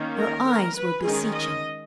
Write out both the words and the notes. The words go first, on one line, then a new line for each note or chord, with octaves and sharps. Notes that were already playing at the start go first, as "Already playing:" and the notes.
Her eyes were beseeching.
Already playing: D#3 A#3 C#4
A#4
A#4
B4
D#3 G#3 C#4 G#4
D#5